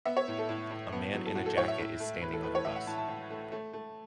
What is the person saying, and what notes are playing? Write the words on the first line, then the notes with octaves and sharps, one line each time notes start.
A man in a jacket is standing on a bus.
B3 E5
C#5
A2
A4
A2 E4
A2
B3
F#3
A4
A2 F#4
A4
A2 C#5
E5
A2
A3
E3 B4
A4
A3 B4
C#5
A2 E5
F#5
A2 A5
A5
A2
A3
A3
A3